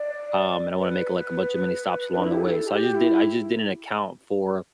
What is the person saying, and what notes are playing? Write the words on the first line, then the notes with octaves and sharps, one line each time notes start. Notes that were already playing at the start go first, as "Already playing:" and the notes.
Um, and I wanna make like a bunch of mini stops along the way. So I just did I just didn't account for
Already playing: D5
B4
D4
E4
G4
A4
G4
E4